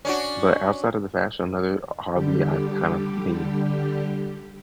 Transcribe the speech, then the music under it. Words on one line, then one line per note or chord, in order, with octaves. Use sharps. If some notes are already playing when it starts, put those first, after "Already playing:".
but, outside of the fashion, another o hobby I've, kind of been
C#4 D4 F#4
D3 G3 G4